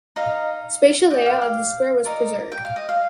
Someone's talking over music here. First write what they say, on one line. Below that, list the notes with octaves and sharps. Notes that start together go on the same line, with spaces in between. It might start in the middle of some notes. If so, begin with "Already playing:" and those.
Spatial layout of the square was preserved.
D#4 A#4 D#5 F5
G4 D5 D#5
F5
F5
D#4 A#4 D5
G5
F5
D#5
F5